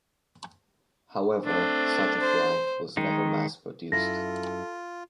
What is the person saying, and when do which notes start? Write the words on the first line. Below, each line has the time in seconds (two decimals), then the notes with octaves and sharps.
However, such a flag was never mass-produced.
1.45 A3 C4 D4
2.21 C5
2.97 D#3 G#3 D#4
3.92 F#2 E4 F4 A4 A#6